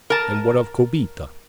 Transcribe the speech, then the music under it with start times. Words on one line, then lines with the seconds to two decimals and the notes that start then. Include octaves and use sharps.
"And what of Kobita?"
0.10 A#4 A5